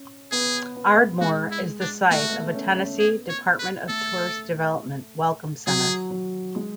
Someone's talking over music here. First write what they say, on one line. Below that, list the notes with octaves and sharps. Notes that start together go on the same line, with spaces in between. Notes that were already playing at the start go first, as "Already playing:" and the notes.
Ardmore is the site of a Tennessee Department of Tourist Development Welcome Center.
Already playing: C#4
B3 G#4
B3
G#3 F#4
E4
D4
A3 F#4
B3
C#4
C#4
B3 G#4
C#5
B4
A3 A4
F#3 G#4
F#3
G#3